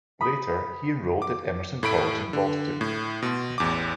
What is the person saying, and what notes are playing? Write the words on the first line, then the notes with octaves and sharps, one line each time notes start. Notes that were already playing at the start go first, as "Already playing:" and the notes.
Later, he enrolled at Emerson College in Boston.
B5 D#6
D6
A2 A3 B5 D7
D3
A2
B2 C6
A1 E2 D6